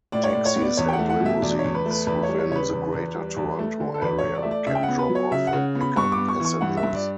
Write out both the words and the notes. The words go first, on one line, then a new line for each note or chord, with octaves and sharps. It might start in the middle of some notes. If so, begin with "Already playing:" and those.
Taxis and limousines within the Greater Toronto Area can drop off and pickup passengers.
A2 D5
C#5
D5
A2
C#5
B3 D5
E2 C#5
G5
F#5
A3
F#5
B2
E5
E2 D5
C#5
E2
B4
A3 B4
E2 B4
C#5
G3
C#5
C#3 C#5
B4
E2
E2
G3
E2
A3
D3
A4
E2 B4
E2 C#5
D5
A3 E5
D5
C#3 E5
G5
F#5
B3
B4
F#3
C#5
C#3 E5
F#5
C#3
B3
B5
G2 C#6
D6
B3
C#6
E3 C#6
G2 F#5
E5
G2
D5